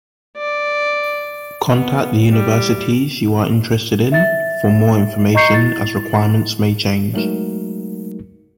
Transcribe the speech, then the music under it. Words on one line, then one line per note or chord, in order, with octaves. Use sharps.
Contact the universities you are interested in for more information as requirements may change.
D5
B3
G3
E5 A6
D#5 A#5 C#6 G6 C7 C#7
E4 A6
F#3 G#3 A3 D#4 F#4 A#4